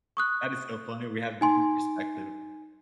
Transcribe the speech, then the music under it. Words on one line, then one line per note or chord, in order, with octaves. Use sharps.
That is so funny. We have different perspectives.
C#6 D#6 F#6
D#4 G#5 C6